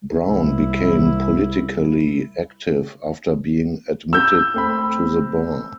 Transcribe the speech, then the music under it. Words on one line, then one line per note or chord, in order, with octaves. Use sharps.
Brown became politically active after being admitted to the bar.
C2 E4
E6 G6
A3 C4 B5